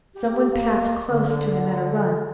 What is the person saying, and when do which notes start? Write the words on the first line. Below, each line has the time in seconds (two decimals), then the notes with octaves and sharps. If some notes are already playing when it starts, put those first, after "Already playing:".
Some one passed close to him at a run.
0.15 G4
0.53 A#3
1.10 D3